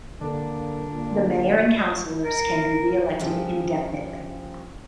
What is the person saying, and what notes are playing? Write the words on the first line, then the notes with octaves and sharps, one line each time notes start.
The mayor and councilors can be reelected indefinitely.
D3 G3 A#3 D4
A#2
A#4
G2 C#3 F3